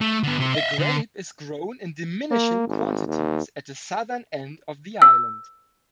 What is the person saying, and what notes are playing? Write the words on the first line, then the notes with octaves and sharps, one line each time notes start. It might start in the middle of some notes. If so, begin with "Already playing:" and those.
The grape is grown in diminishing quantities at the southern end of the island.
A3
D3 B3
C3 C5
D#5 E5
D3
A#3
G#1
D#2
E6